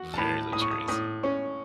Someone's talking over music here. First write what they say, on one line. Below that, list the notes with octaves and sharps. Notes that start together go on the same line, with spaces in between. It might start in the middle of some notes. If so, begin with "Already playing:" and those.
Very luxurious.
Already playing: F#4
A5
A2 B5
A2 D#6
C#6
D#6
A2 D#6
C#4 C#6